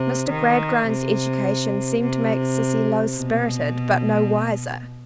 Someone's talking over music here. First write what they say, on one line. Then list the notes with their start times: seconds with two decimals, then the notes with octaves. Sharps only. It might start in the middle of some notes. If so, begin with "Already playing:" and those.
Mr. Gradgrind's education seemed to make Sissy low-spirited, but no wiser.
Already playing: C3
0.29 D#3
0.87 C3
2.01 C3
3.16 B2